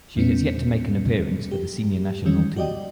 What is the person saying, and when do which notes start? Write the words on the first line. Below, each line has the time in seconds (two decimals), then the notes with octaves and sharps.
She has yet to make an appearance for the senior national team.
0.17 E2 G3 B3 C#4 C#7
1.51 G4
2.25 D#3 E3 G3 G#3 C#4
2.56 F#4 G4 D5 D#5 G5